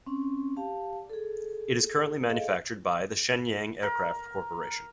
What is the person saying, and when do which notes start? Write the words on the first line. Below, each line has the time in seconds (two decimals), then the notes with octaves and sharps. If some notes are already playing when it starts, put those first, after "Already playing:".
It is currently manufactured by the Shenyang Aircraft Corporation.
0.07 C4 C#4
0.57 G4 F5 A5
1.10 G#4 A4
2.29 G#4 A4 D#5 F5
3.83 A#4